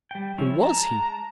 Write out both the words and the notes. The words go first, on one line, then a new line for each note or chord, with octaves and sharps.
Who was he?
G3 G5
F3 C#4 E4
G#3 A5 A#5